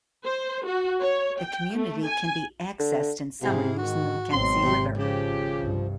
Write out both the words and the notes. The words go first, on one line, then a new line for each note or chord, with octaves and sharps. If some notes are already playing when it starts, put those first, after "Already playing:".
The community can be accessed in summer using the Mackenzie River.
C5
F#4
C#5
G5
A3
G#5
D3
G#2 C3 E4 G#4 F5
D#3 F#4
G#1 B2 F#3 C4 C6
C3
C#3 F3 G4
C2 G2